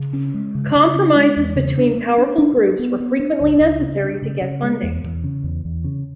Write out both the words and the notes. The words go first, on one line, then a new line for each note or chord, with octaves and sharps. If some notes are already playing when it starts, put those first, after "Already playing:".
Compromises between powerful groups were frequently necessary to get funding.
Already playing: C#3
C#4
G#3
C#3
C#3
C#4
G#3
E2
C#3
D4
B3
D4
D4
D4
B3
B3
D4
C#2
C#2
C#3
D4
C#3
C#3
G#3
E2
E2
C#3
E2
E2
C#3